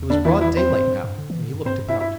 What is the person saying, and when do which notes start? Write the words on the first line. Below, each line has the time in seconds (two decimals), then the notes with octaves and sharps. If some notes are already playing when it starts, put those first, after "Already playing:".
It was broad daylight now, and he looked about.
Already playing: E2
0.10 D3 D4
0.25 E3 E4
0.41 E3 E4
0.57 C4 C5
0.72 G2
0.88 G2
1.04 G2
1.18 D3
1.30 E3
1.42 D3
1.54 G2
1.65 G2 C4 C5
1.88 E4 E5
2.00 E4 E5